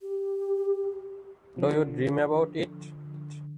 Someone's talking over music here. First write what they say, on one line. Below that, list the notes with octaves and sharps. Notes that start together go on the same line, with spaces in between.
Do you dream about it?
G4
D3 F3